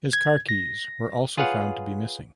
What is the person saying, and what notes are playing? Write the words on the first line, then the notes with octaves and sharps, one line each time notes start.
His car keys were also found to be missing.
G#6
A#6
F4 G#4 B4 C#5 F5 F#5